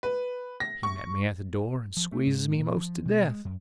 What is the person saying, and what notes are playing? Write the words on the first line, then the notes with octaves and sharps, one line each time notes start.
He met me at the door, and squeezes me 'most to death.
B4
A#6
C#6
F3
A3
G#2
A#2
F3
B2
G#3
F#2